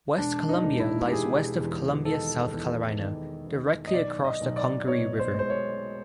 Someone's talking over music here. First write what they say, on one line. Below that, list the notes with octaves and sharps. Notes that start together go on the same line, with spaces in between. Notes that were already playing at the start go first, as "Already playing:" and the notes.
West Columbia lies west of Columbia, South Carolina, directly across the Congaree River.
E1 D4
D#4
E1
E4
G4
E1 G#4
E2
D#3 A4
E2
D#3
D#3
D#5
B1 D5
D#5
B1
D5
B2 C#5
C5
G#3 C5
C#5